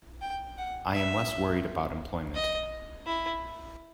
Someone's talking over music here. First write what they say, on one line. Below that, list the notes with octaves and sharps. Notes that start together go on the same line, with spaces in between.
I am less worried about employment.
G5
F#5
E5
D#5
E4